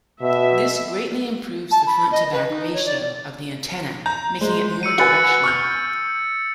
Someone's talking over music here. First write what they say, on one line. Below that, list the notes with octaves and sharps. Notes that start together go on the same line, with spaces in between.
This greatly improves the front-to-back ratio of the antenna, making it more directional.
B2 E5
A5
B5
D#5
B4
D#4
C#5
D5
A#5 G6
G#3 C5
E6 C#7 D#7
F#4 B4 G#5 E6 A6 C#7
C#6 F6 G6